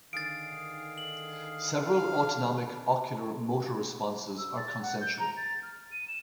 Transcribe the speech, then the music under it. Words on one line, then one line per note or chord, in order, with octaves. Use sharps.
Several autonomic ocular motor responses are consensual.
D3 D#3 G#4 F5 A6 D7
F#7
D4 F5
E6
A6
F#5
G6
A#5
A6
F6
D#7
E7